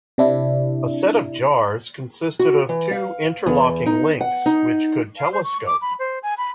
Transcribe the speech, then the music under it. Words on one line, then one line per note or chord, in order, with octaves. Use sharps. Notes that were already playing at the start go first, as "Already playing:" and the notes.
A set of jars consisted of two interlocking links which could telescope.
C3 D4 E4
F#4
E3
F5
E2
D#4
F#5
D#4
F5
C5
C#6
D6
B5
C5
G#5
B5